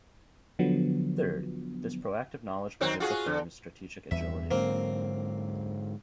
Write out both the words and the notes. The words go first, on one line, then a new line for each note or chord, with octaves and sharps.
Third, this proactive knowledge will give the firms strategic agility.
D3 F3 F#3 B3
D#3 F#3 C4
F4 F#4 G#4
D3
E2 G2 E5
G#2 D3 F#3 A#3 C4